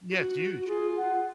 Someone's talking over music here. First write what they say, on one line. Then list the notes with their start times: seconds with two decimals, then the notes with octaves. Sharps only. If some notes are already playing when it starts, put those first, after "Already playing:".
yeah, it's huge.
0.12 F#4
0.57 F#4
0.68 F4 G#4
0.97 F#5